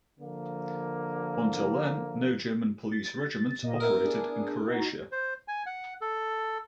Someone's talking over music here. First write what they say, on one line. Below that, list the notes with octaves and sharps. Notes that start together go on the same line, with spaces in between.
Until then no German police regiments operated in Croatia.
D3 F3 A#3
A6
A#2 D#5
B3 E4 A#4
D4 G#4
D#4 F#4
C5
G#5
F#5
A4